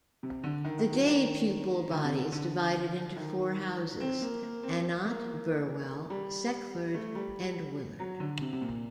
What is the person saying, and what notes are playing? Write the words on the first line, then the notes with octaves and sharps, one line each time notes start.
The day pupil body is divided into four houses, Annott, Burwell, Seckford and Willard.
C3
D3
D#3
D#3
F#3
D#3
D3
C3
D3
D3
D#3
C4
A#3
A#3
C4
A#3
G3
A3
G3
F#3
D3
C3
C3
A#2